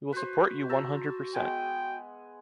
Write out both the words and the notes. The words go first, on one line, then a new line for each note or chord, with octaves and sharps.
We will support you, one hundred percent!
F#4 B4 C5
A5 A#5 E6
G#3 B3 G5 G#5